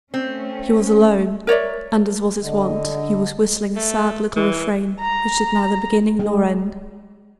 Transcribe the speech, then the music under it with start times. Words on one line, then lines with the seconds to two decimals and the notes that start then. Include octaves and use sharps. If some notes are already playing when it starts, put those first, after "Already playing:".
He was alone, and, as was his wont, he was whistling a sad little refrain which had neither beginning nor end.
0.14 A3 C4 C#4
1.47 A#4 C#5 D5 E5
2.44 D3 D#5
3.76 A3
4.36 E3
5.00 A#5
6.19 G#3